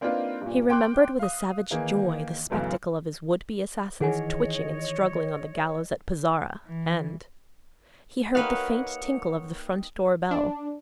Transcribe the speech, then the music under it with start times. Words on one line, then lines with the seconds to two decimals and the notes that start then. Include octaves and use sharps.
He remembered with a savage joy the spectacle of his would-be assassins twitching and struggling on the gallows at Pezara and--he heard the faint tinkle of the front door bell.
0.01 A#3 C4 D4 D#4 F4 B4
0.42 G2 A#2
0.70 G5 C6 D6 F#6
1.19 F5 D#6
1.71 D#3 E3 A#3 D#4 G#4
2.50 B1 F#2 C#3 E3 A3
4.00 D#3 E3 G#4 C#5 D#5 F#5 G#5
6.66 E3
8.35 A#3 D#4 G4 A#4 B4 C#5 F5 F#5
10.31 D4